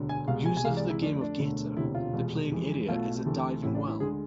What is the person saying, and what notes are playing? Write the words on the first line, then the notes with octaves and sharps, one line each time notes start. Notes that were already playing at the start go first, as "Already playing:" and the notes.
Usually for the game of Gator, the playing area is a diving well.
Already playing: E1 D2 D3
G#5
C2 B2 G#3 F5
G#5
G#5
C2 C3 E3 G#3 F5
D5
E4
F2 D3 A3 D4
D4
E1 D2 D3 A3
E1 D2 C3 E4
F4
F1 E2 B2 G#3
F2 E3 G#3
B1 B2 A3 F4
D2 C3 E3 A3
A1 A2 E3 E4
D4
E4
D2 D3 G#3 G#4